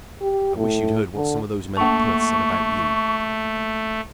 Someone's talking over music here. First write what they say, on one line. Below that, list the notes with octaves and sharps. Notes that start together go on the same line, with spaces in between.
"I wish you'd heard what some of those men at Perth said about you."
G4
A2
D3
A3 A#3 A5 C#6